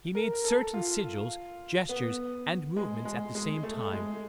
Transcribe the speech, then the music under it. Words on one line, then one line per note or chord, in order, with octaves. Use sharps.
He made certain sigils, gestures and movements at the same time.
A#4
A#4
A4
F4
B3
G#3
G#3
G#3
A3
G#3